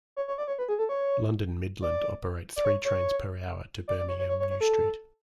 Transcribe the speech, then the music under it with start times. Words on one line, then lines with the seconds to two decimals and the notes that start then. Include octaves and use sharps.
London Midland operate three trains per hour to Birmingham New Street.
0.17 C#5
0.28 C#5
0.38 D5
0.48 C#5
0.59 B4
0.69 G#4
0.79 A4
0.89 C#5
1.82 D5
2.56 D5
2.65 C#5
2.85 C#5
3.88 D5
3.99 D5
4.08 C#5
4.19 C#5
4.29 C#5
4.40 C#5
4.50 C#5
4.61 A4